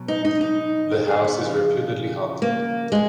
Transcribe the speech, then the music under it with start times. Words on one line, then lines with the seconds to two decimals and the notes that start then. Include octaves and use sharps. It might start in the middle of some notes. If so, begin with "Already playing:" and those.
The house is reputedly haunted.
Already playing: B2 F#3
0.08 D#4
0.25 D#4
0.41 D#4
0.91 A#4
1.08 G#4
1.24 B3
1.42 C#3 F3
2.42 A#3
2.92 G#3